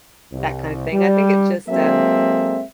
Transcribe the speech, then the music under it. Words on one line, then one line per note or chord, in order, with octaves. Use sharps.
that kinda thing, I think it just, um,
C2
G3
F#3 G#3 A#3 C4 A4 E5